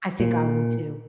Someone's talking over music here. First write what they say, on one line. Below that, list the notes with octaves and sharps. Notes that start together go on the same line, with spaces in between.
I think I would too.
A#2